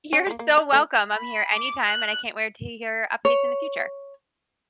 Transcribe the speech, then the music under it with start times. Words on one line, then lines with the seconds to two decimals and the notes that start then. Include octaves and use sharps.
You're so welcome. I'm here anytime, and I can't wait to hear updates in the future.
0.13 C#4
0.27 G#3 A#3
0.39 A#3
0.57 D4
0.72 A3 E4
1.14 B5
1.53 D6
1.84 F#6
3.25 C#5